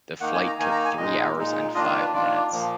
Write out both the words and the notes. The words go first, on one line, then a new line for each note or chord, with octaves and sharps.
The flight took three hours and five minutes.
D#3 A#3 D#4 F#5
G#5
A#5
D#3 A#3 D#4 G#5
A#5
G#5
A#2 G#3 D#4 D#5
A#2 G#3 D#4
D#3 A#3 D4 F4 D#5
B4
D#3 A#3 D4 F4 D5
A#2 F3 A#3